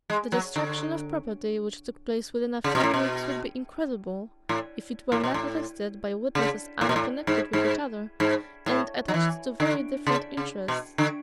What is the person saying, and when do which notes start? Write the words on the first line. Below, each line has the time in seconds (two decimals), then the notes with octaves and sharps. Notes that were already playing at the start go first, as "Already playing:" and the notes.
The destruction of property which took place within a few weeks would be incredible, if it were not attested by witnesses unconnected with each other and attached to very different interests.
0.10 G#3
0.32 F#3
0.56 D3
2.64 C#3
2.75 B2
2.83 A2
2.94 B2
4.49 A2
5.12 A2
5.24 B2
5.34 A2
6.35 C#3
6.81 A2
6.89 B2
6.96 A2
7.27 G#2
7.53 G#2
8.20 G#2
8.66 A2
9.08 F#3
9.14 E3
9.60 D3
10.07 C#3
10.37 C#3
10.68 B2
10.98 D3